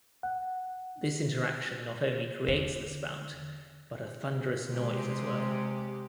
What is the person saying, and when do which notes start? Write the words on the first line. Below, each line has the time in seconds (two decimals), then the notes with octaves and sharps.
This interaction not only creates the spout, but a thunderous noise as well.
0.23 F#5
2.47 E2 D3
4.70 C3 G#3 G4